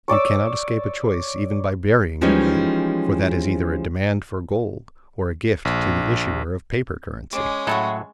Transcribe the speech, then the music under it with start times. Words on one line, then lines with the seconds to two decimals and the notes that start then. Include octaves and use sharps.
You cannot escape a choice even by burying the money, for that is either a demand for gold or a gift to the issuer of paper currency.
0.08 C#5 D5 D6 E6
2.21 E3 F3 G3 G#3 C#4 D#4
5.65 A#1
7.33 G#3 C#4 D6
7.67 A2 F#3 D#4 E4 F#4 A4